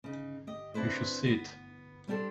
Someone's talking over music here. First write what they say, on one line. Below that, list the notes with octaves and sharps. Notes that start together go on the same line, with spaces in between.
You should see it.
C#3 D#4
G4 D#5
C4 D4 E4 B4 C5
B3
G3 B3 D4 G4 A4 C5